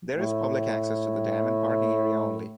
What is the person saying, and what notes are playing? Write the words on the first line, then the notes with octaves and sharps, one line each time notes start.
There is public access to the dam and parking area only.
A2